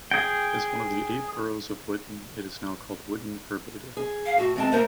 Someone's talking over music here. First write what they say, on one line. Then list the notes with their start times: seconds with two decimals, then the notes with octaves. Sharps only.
As one of the eight boroughs of Witten, it is now called Witten-Herbede.
0.11 G#4 G5
3.97 G#4
4.26 F5
4.38 A2 F#4
4.56 E3 G#3 C4 A5
4.72 A3 A#3 A#4 C5